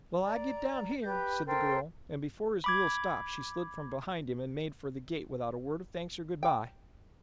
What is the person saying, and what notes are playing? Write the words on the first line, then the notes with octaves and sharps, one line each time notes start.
"Well, I git down here," said the girl, and before his mule stopped she slid from behind him and made for the gate without a word of thanks or good-by.
D5 A#5
G4 B4 G6
A4 A#4 C5 G5
B5 D6 G#6
G5